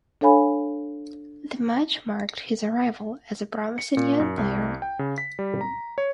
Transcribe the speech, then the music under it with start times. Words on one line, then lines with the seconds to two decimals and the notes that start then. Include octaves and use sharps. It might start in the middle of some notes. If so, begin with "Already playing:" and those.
The match marked his arrival as a promising young player.
0.21 D4 A4 C#5 F5 G#5 B5
3.78 C#7
3.97 A#2
4.20 F#2
4.38 C2
4.82 G5
4.99 C#3
5.18 B6
5.39 G3
5.61 A#5
5.98 C#5